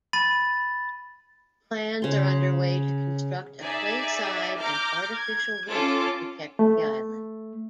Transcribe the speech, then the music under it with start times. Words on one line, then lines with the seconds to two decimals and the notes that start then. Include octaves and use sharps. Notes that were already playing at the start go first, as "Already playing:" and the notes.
Plans are underway to construct a quayside and artificial reef to protect the island.
0.13 B5 A6 D#7
2.02 C#3 C6
3.61 D#4 G#4 D5 E5
4.59 A#5 D6 F6 G6
5.14 G#6
5.67 C#4 F4 A4 D6
6.59 A3